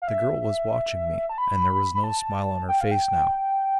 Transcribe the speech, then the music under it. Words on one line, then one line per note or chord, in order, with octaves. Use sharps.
The girl was watching me, and there was no smile on her face now.
F5
E5
A5
B5
B5
A5
G5
F5
G5